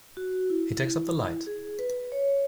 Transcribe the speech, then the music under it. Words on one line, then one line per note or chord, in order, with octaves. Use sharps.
He takes up the light.
F#4
E4
G#4
B4
C#5